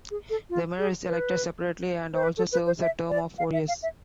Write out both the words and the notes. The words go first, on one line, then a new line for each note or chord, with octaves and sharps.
The Mayor is elected separately and also serves a term of four years.
G#4
A4
F4
G#4
B4
C5
B4
A4
B4
C5
E5
D5
F5
E5
F5
E5